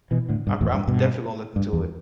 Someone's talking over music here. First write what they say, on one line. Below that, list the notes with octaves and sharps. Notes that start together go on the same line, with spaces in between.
I, from definitely gonna look into it.
B2 E3
A2 D3
G2 B2
E2 A2
G2
G2 B2
G2
E2